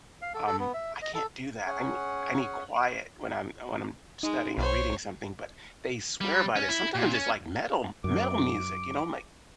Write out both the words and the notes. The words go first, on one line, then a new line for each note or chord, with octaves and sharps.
Um, I can't do that, I nee I need quiet when I'm when I'm studying or reading something, but they swear by this. Sometimes it's like metal m metal music, you know, like,
F5
A4
A4
B3
E5
D#5
A4
C#4 G#4 F#5
G#3 D#4
B1 C5 C#5
G3
C#4
E4
A#2
C#4
F#2 D6